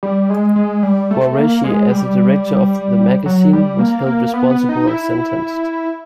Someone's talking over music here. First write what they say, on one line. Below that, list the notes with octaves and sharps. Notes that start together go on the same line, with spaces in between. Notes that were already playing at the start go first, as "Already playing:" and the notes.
Guareschi, as the director of the magazine, was held responsible and sentenced.
G3
G#3
G#3
G3
A3
A#3
G#3
G3
F#3
G3
A#3
A#3
B3
B3
D#4
E4